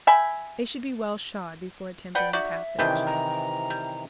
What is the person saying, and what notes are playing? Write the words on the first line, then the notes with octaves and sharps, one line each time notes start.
They should be well shod before attempting the passage.
E5 G5 G#5 B5
B4 D5 F#5 G5
D#4 F#4 D5 E5
C3 D#3 E3 D4 B4 G5
A#5
G3